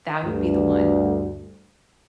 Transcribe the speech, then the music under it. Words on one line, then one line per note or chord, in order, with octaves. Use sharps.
that would be the one.
D2 G2